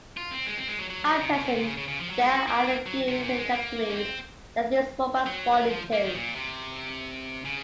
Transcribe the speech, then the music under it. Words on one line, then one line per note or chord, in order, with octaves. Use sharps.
At present there are a few main categories that these robots fall into.
F4
C4
G#3
C4
G#3
F#3
F#3
F#3
C3
C3
A#2
C3
C#3
C#3
C#3
F3
F#3
G#3
F#4
A#3
C4
A#3
F#3
C3
A#2
G#3
A#3
C#4
C4
F#3
F3
A#3
D#3
A#2
C3
C#3